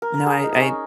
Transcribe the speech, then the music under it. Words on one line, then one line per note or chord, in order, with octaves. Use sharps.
No, I I
A#4
A#4
G#4
D#4
C#4